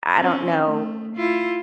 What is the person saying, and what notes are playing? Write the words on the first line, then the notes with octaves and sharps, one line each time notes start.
I don't know,
C4 C#4
A3
E4 F4